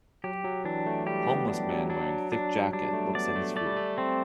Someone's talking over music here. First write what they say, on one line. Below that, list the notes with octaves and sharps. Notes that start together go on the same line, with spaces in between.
Homeless man wearing thick jacket looks at his food.
F#3 G4
F#3
E3 D4
A3
G3 G4
B3
D4
F#3
F#3 D4
D4
G3 D4
A3
B3 D5
A3
A3 D5
G3
A3
C4